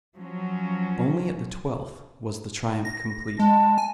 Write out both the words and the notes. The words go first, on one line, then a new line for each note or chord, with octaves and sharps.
Only at the twelfth was the triumph complete.
F3 F#3 C#4
A#6
G#3 A5
G#5